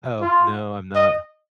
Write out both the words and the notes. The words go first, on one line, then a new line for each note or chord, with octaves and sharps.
Oh, no, I'm not.
F4
D#5